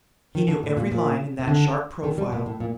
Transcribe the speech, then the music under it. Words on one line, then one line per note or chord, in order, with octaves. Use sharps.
He knew every line in that sharp profile.
D#3
D3
A2
A#2
A#2
C3
D3
D#3
G3
A#2
A2
A#2